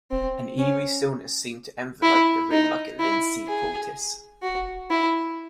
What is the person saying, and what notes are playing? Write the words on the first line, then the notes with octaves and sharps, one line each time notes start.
An eerie stillness seemed to envelop the room like a linseed poultice.
C4
C#4
E4
D#4
E4
G#4
F#4
E4